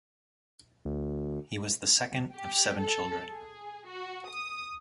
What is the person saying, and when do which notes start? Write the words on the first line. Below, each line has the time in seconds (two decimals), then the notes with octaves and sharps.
He was the second of seven children.
0.85 D2
2.35 G4
2.80 A4
3.31 G#4
3.89 F#4
4.29 D#6